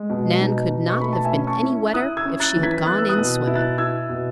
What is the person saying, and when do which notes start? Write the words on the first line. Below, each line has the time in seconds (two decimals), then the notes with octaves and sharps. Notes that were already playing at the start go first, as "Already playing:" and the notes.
Nan could not have been any wetter if she had gone in swimming.
Already playing: G#3
0.10 B2
0.41 D#4
0.71 B2
0.89 C#6
1.01 A3 B5
1.13 A5
1.24 E5 G#5
1.33 C#4
1.47 A5 C#6
1.63 E4
1.93 E4 D#6 F#6
2.17 E6 G#6
2.25 C#4
2.40 F#6 A6
2.56 E3
2.63 G#6 B6
2.86 B3 F#6 A6
2.98 E6
3.09 D#6 F#6
3.17 B2
3.47 E4
3.55 F#6 A6
3.78 E4 E6 G#6
4.09 B2